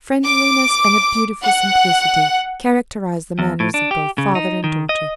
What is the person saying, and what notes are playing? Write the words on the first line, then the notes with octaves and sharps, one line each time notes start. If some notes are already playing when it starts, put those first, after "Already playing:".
Friendliness and a beautiful simplicity characterized the manners of both father and daughter.
D6
F#5
E2
A2
D4
G4
C#3
D#4
D#3
D#5